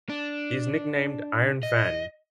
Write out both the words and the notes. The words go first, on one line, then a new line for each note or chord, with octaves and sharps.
He is nicknamed "Iron Fan".
D4
D#5